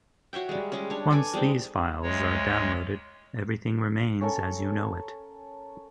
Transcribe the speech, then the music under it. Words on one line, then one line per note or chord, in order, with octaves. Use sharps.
Once these files are downloaded everything remains as you know it.
F#4 C#5 E5 G5
G3 G#3
G3 G#3 C#4
D4 C#5
A4 B4 G#5 D6
G3 G#3 C4 D#4
D2 G#3 C#5
C#4 A4 A#4 G#5